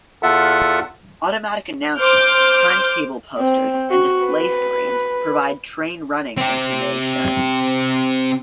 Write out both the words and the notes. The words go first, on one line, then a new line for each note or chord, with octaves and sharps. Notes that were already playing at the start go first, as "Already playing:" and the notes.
Automatic announcements, timetable posters and display screens provide train running information.
E2 F4 A4 E5 F#5
C5 D6 F6 G6
C4
F#4
B4
C4 G4